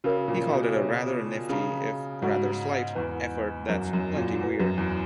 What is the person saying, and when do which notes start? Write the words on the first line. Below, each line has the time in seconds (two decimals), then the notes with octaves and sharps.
He called it a "rather nifty, if rather slight, effort that's plenty weird".
0.04 C#3 F#4 A#4 C#5
0.28 A#2
0.52 B2
0.77 G#4 C#5 E5
1.49 C#3 G#4 D#5 A#5
2.22 G#2 F#4 C#5 F#5 A#5 C#6
2.95 E2 B4 F#5 C#6
3.68 F#2 A#4 E5 A#5 C#6
3.93 F#2
4.16 A#2
4.41 F#4 B4 F#5
4.60 F#2
4.78 E2